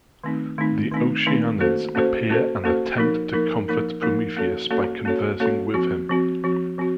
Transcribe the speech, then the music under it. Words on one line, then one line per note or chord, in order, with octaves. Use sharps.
The Oceanids appear and attempt to comfort Prometheus by conversing with him.
D#3 A3 C4 D#4
D#3 A3 C4 D#4
D#3 A3 C4 D#4
D#3 A3 C4 D#4
A#3 C#4 F#4 A4 C5
A#3 C#4 F#4 A4 C5
A#3 C#4 F#4 A4 C5
A#3 C#4 F#4 A4 C5
F3 A#3 D#4 A#4
F3 A#3 D#4 A#4
F3 A#3 D#4 A#4
F3 A#3 D#4 A#4
A#3 C#4 F#4 A4 C#5
A#3 C#4 F#4 A4 C#5
A#3 C#4 F#4 A4 C#5
A#3 C#4 F#4 A4 C#5
F3 C4 F#4
F3 C4 F#4
F3 C4 F#4
F3 C4 F#4